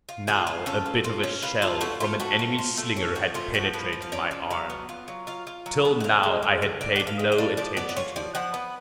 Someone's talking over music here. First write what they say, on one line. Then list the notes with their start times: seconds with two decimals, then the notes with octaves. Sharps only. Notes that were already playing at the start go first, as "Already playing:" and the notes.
Now, a bit of a shell, from an enemy slinger, had penetrated my arm. Till now, I had paid no attention to it.
0.09 F4
0.27 F4 G#4
0.47 F4
0.66 C#4 A4
0.86 F4
1.04 F4
1.23 C#4
1.42 F4 B4
1.62 F4 A4
1.81 A3 F#4
2.00 A3 F4
2.20 A3 F#4
2.39 F4
2.58 F4
2.78 A3
2.97 C#4
3.15 F3 F#4
3.34 A3 F4
3.54 F3 F#4
3.73 F3 B4
3.93 F3
4.02 F5
4.12 C#4 D5
4.31 F3
4.50 F#3 F5
4.70 B3
4.89 F4
5.08 F#3
5.27 F4 F5
5.47 F4
5.66 F#3
5.85 B3
6.00 F#5
6.04 D3 F5
6.23 G#3
6.42 G#3
6.62 D3
6.81 D3 D5
6.96 F#5
7.00 D4
7.07 F5
7.19 G#3
7.32 F5
7.38 D4
7.57 F3 D5
7.77 B3 D5
7.89 D5
7.96 F4 C#5
8.16 F3 D5
8.35 F3 F#5
8.54 B3